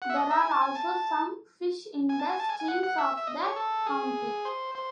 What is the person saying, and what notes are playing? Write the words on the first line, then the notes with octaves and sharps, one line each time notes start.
There are also some fish in the streams of the county.
F#5
E5
D#5
E5
G#5
A5
G#5
A5
G#5
A5
G#5
A5
G#5
G#5
F#5
F#5
E5
E5
D#5
C#5
A4
G#4
C5
C5